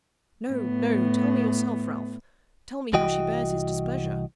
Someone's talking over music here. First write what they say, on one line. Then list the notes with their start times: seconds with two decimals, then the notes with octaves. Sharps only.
"No! no! tell me yourself, Ralph--tell me how she bears his displeasure!"
0.50 A2 B3
2.93 C2 E3 F#4 D#5 G5